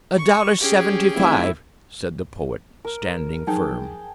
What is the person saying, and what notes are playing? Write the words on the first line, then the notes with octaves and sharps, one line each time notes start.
"A dollar seventy-five," said the poet, standing firm.
C#6
C#4 G4 G#4
F1 E4
A#4
F3 F#3 D#4 G#4 G5 A5